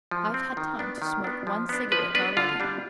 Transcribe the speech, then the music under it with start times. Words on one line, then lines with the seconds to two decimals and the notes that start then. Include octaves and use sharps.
I've had time to smoke one cigarette already.
0.11 F3
0.34 C4
0.57 D#3
0.79 B3 D4
1.02 D#3
1.24 B3 D4
1.47 F3
1.69 B3 D4
1.92 F3 B4
2.14 B3 D4 B4
2.37 D3 F4
2.60 G3 D4